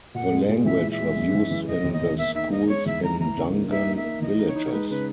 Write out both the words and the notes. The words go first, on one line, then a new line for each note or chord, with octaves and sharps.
The language was used in the schools in Dungan villages.
A#2 F#5
G#3
A#2
E3 E5
G#3
E5
G#3
F#2
E3
E3
E1 D#5
D#2
D#5
E1
A#3 E5
D#4 E5
D#4 D#5
G#3 C#5
E2 E5
E3 A#5
E3 A#5
C#2
A#3
D#4 E5
A#3
E5
A#3
E3 D#5
D#4
C#5
D#4
C#5
G#3 B4
C#3 B4